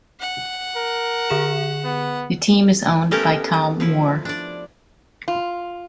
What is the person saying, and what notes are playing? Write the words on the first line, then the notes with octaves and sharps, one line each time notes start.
The team is owned by Tom Moore.
F#5
A#4
D3 G#4 E7
B3
A3 B3 C#4 G4 A4 A#4
F3 E4
D4 D5
F4